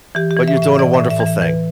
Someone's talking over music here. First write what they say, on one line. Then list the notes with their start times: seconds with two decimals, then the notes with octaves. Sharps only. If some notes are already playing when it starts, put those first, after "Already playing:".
But you're doing a wonderful thing.
0.15 E3 G4
0.31 G4
0.37 E3
0.48 E5
0.57 A2
0.62 E5
0.79 E3 D5
0.94 E5
1.00 A2
1.10 E5
1.20 E3
1.26 E5
1.42 E3 B4